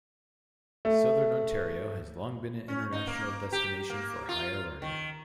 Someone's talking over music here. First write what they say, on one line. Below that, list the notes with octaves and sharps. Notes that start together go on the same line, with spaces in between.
Southern Ontario has long been an international destination for higher learning.
A3
C#4
D#4
A#3
G4
A#3
F4
D#3